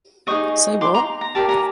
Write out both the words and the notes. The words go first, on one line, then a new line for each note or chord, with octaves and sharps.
Say what?
D#4 G#4 C5 D#5 C#6 D#6
C6 D6
A#5 C6
A#5
G4 A#4 D5 A5
G#5 A#5